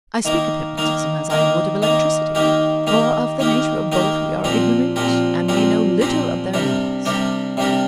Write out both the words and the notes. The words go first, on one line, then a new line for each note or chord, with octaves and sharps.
I speak of hypnotism as I would of electricity, for of the nature of both we are ignorant and we know little of their laws.
D#3 A#3 D#4 A#4
D#3 A#3 D#4 A#4
D#3 A#3 D#4 A#4
D#3 A#3 D#4 A#4
D#3 A#3 D#4 G4 A#4
D#3 A#3 D#4 G4 A#4
D#3 A#3 D#4 G4 A#4
D#3 A#3 D#4 G4 A#4
A#2 F3 C4 G4 A#4
A#2 F3 C4 G4 A#4
A#2 F3 C4 G4 A#4
A#2 F3 C4 G4 A#4
C3 G3 D4 G4 A#4
C3 G3 D4 G4 A#4
C3 G3 D4 G4 A#4